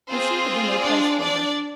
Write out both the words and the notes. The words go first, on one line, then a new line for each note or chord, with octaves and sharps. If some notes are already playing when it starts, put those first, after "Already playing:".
There seemed to be no place for her.
C4 F4 G#4 C5
D4 D5
D4 D5